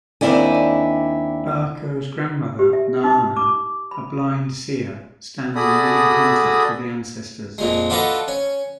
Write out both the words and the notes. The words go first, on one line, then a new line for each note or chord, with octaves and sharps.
Baako's grandmother Naana, a blind-seer, stands in living contact with the ancestors.
D#2 C4 D4 E4 D5 G#5
G4
E5
D#4
D6
B5
F#4 G#4 A4 D5 B5 D#6
F2 A#2 G#3
D4 F4 F#4 A4 B4 D#5
C#4